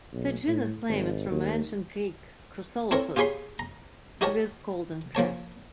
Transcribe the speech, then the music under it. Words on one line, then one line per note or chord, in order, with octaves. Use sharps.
The genus name is from Ancient Greek "khrusolophos", "with golden crest".
B1
A2
G#1
D#2
C4 E4 A4 A#4 C#5
F4 G4 G#4 C#5 B5 C6
A#5
D#4 F#4 G4 A#4 C#5 A5
F3 A#3 C#5 A5